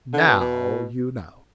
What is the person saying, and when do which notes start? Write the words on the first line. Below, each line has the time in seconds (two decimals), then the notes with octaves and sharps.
Now you know.'
0.14 D3
0.27 B2
0.40 B2